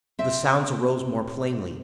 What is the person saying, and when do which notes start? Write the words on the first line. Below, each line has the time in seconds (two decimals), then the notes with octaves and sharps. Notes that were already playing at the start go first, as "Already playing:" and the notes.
The sounds arose more plainly.
0.19 C4 E5